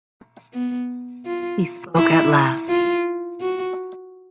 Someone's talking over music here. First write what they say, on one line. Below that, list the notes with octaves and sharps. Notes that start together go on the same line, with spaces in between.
He spoke at last.
B3
F4
E4
F4
F#4